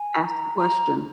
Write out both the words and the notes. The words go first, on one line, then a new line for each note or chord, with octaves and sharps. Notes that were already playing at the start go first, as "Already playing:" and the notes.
ask the question.
Already playing: G#5
A#5
A#5